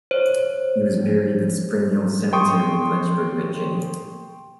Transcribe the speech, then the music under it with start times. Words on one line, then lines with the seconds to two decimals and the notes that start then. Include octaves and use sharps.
He was buried at Spring Hill Cemetery in Lynchburg, Virginia.
0.11 C5 C#5
2.33 G5 C6 C#6 D#6